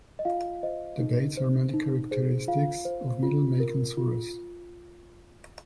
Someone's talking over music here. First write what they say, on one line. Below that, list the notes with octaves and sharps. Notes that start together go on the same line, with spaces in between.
Debates are mainly characteristics of middle "Meccan suras".
D#5
F4 F5
C5 D#5
D#4
C5
D#4
G#4 C5
F4 F5
C5
F4
A#4
F4